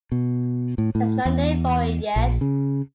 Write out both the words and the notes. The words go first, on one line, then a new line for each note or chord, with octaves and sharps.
There's no name for it yet.
B2
A2
A2
E2
A#1
C#3